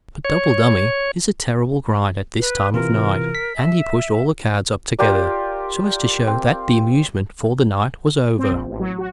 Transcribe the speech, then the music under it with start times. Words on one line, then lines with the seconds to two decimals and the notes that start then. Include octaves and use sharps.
"But double dummy is a terrible grind at this time of night." And he pushed all the cards up together, so as to show that the amusement for the night was over.
0.25 C#5
2.40 B4
2.74 C3 E3 F4 A#4
3.35 B6
3.56 E5
4.99 F4 G4 A#4 D5
6.27 C4
8.39 C4
8.51 A#1
8.67 A1
8.80 F#3
8.98 F#4